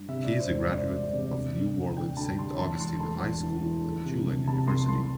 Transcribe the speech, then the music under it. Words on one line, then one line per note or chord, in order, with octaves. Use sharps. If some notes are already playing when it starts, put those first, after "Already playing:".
He is a graduate of New Orleans' Saint Augustine High School and Tulane University.
Already playing: G2
C3 E5
D5
C3
C5
E1
D5
D5
E1 C5
E1 D5
D5
C3
D5
D2
D3
D2
D3 G5
D2 A5
G3 C6
E2 A5
E1 C6
A3 A5
E1
E3
E3
A3
C3
C2
C3 A5
C2 C6
C2 C6